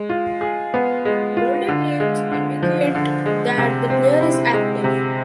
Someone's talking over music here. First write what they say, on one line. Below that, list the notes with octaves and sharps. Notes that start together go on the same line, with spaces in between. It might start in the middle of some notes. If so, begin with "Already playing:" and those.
Bolded names indicate that the player is active.
Already playing: G#3
F4
G#4
B3
G#3
F4
D3
G#3
D3
F3
D3
G#3
C3
C4
E4
G#3
C3